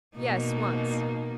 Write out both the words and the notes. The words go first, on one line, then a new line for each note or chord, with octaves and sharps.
"Yes, once."
B2 A#3 D#4